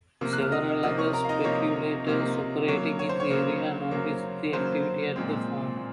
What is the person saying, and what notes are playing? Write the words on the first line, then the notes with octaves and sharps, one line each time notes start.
Several other speculators operating in the area noticed the activity at the farm.
C3 F3 A#3
F#6
F6
D#5 D#6
C3 F3 A#3 D#5 D#6
C#5 C#6
A#4 A#5
F5
D#4 D#5
C3 F3 A#3 C#5
C3 F3 A#3
C#3 F#3 A#3 C#5
C#5
C5
C#5
C#3 F#3 A#3
C#3 F#3 A#3
C#3 F#3 A#3 C5
A#2 F3 G#3 C4
A#2